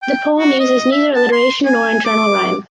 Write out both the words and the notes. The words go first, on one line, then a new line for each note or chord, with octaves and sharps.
The poem uses neither alliteration nor internal rhyme.
G5
F#4
D#5
E5
A5
C6
G#5
D6